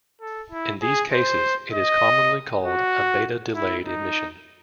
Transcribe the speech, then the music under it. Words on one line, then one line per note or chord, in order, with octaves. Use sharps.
In these cases it is commonly called a "beta-delayed" emission.
A4
E4
G#4
C5
D#5
F#4
E4
D#4